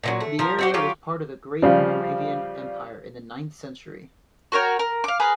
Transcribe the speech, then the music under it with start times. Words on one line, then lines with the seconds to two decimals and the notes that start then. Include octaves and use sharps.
The area was part of the Great Moravian empire in the ninth century.
0.03 A#2 E3 F#3
0.21 A3
0.39 F3 A#4
0.59 C4 F#4 G4
0.74 F#3 F4 G4 F5
1.62 C#3 F3 G3 D5 F5
4.52 F#4 A#4 C#5 G5
4.79 A#4
5.04 F5 D6
5.20 G#4 A#4 B4